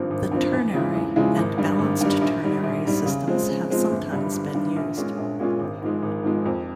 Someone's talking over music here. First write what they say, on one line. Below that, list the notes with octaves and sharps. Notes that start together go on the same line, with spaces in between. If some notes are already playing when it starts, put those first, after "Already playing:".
The ternary and balanced ternary systems have sometimes been used.
Already playing: G#1 G2 F3 C4
G#1
G2 F3 C4
E2
C#3 F3 G#3 E4
E2
C#3 F3 G#3 E4
G#1
G2 G3
G#1
G2 G3
A#1
G#2 G3
A#1
G#2 G3
C#3
F3 G#3 C4
C#3
F3 G#3 C4
G1
G2 G3
G1
G2 G3
A#1
A#2 G#3 C#4 F4
A#1
A#2 G#3 C#4 F4
G#1
G#2 F3 G#3
G#1
G#2 F3 G#3
F2